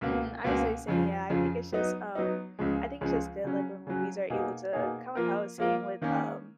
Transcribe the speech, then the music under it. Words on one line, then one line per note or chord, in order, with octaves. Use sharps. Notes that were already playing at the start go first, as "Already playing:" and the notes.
Mhm. I was like saying, yeah, I think it's just, um I think it's just good, like, when movies are able to kinda like how I was saying with, um,
C#2 B2 A#3
C#2 B2 A#3
F2 C#3 F3
F2 C#3 F3
F#3 B3 D#4
F#3 B3 D#4
C#2 C#3 F3 G#3
C#2 C#3 F3 G#3
C#3 F#3 C#4
C#3 F#3 C#4
B2 A#3 D#4 G#4
B2 A#3 D#4 G#4
F3 A#3 F4 A#4
F3 A#3 F4 A#4
D#3 A#3 C#4